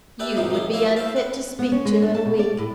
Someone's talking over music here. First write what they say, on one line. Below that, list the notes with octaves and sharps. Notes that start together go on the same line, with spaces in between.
You would be unfit to speak to in a week.
G4 B4 D5 E5 A5
B1 G#2 C3 D#4 F4 G#4
D#3 F3 A#3 G#4
A#3 C#4 E4 F4 A#4
E4 C5 F5
B4
B3
C#4
G#3
D4
A5
B2
D5
A2